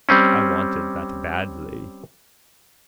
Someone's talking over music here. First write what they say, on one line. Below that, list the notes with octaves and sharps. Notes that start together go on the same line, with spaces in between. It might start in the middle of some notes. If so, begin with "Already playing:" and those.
I wanted that badly.
G3 C4 C#4